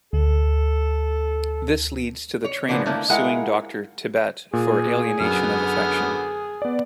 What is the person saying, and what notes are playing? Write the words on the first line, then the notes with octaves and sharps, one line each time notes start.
This leads to the trainer suing Doctor Tibbett for alienation of affection.
D2 A4
C#5
C#3 F3 A#3 B3 D4
D3 A3 A#3 E4
G#3 E4 F4 A#4 F#5
A#2 G#4
F#2 D3 B3 F6
B3 D5